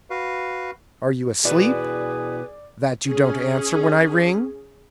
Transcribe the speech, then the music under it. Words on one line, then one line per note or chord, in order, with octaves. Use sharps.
"Are you asleep, that you don't answer when I ring?"
F#4 B4 F5
B2 E4 F#4 G#4 B4 D5
C#4 G#4